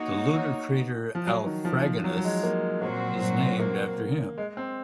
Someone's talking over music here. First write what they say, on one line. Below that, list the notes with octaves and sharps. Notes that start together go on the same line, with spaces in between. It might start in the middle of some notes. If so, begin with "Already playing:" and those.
The lunar crater "Alfraganus" is named after him.
Already playing: A#3 D#4 F#4 C#5
F3
F#3
D#3
F3
F3
F#3
F#3
G#3
A#3
A#2 F#3 A#3 C4 F#4 C5
A#3
G#3
C4